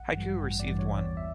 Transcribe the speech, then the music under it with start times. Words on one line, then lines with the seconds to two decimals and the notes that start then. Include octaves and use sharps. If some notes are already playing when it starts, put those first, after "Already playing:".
Haiku received one.
Already playing: A1 F#5
0.12 G2 E3 G3
0.41 A1 G5
0.60 D5
0.69 G2 E3 G3
0.79 C#5
0.98 E2 D5
1.17 E5